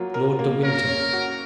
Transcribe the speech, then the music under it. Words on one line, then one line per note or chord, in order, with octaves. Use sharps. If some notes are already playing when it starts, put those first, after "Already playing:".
"Lord de Winter."
Already playing: F#3 A#3 F4 A#4
A#4
A#3
A#4 C#5
C#4
F#4